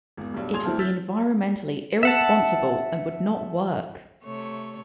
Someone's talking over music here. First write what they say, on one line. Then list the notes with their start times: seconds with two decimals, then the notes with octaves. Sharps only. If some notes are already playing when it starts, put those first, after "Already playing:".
It would be environmentally irresponsible - and would not work.
0.17 G#1 E2
0.34 B1 G2
0.52 E1 A#1 G#4 C6 G#6 F7
0.64 D2 E3 C4 E4 A5 F6
0.79 E6 G6 A6 B6
2.03 E5 F#5 A5
4.24 C3 A3 C#5